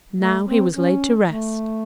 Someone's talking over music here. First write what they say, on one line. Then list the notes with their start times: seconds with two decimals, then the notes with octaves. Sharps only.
Now he was laid to rest.
0.19 A3
0.47 C4
0.74 C#4
1.29 A3